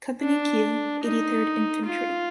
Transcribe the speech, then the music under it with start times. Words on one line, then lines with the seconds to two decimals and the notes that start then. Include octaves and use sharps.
Company Q, Eighty-third Infantry.
0.21 D4
1.04 D#4
1.86 F4